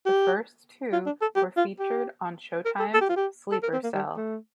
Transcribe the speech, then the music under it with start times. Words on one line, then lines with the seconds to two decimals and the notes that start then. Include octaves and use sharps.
The first two were featured on Showtime's "Sleeper Cell".
0.06 G4
0.93 F4
1.06 D4
1.21 A4
1.35 G4
1.56 F4
1.79 G4
2.65 A#4
2.79 A4
2.94 A4
3.01 G4
3.09 F4
3.16 G4
3.52 A4
3.62 A#4
3.73 C4
3.83 A#3
3.94 G3
4.17 A3